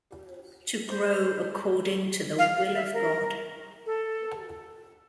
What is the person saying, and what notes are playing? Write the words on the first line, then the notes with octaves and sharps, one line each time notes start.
To grow according to the will of God!
C5
F5
F5
E5
A#4
A4